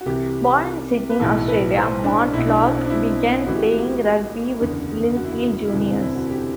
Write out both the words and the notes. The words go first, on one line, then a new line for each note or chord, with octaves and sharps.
Born in Sydney, Australia, Mortlock began playing rugby with Lindfield Juniors.
F#4
C2 C3 E3 G4
B4
B1 A2 E3 A4
B4
C5
D4
B1 B2 E4
D4
C4
D4
E4
A1 A2 E3 F#4
G4
F#4
F#1 E2 D3
F#4
E4
F#4
E4
E1 D2 C3 E3 D4
C4
E4
F#4
G4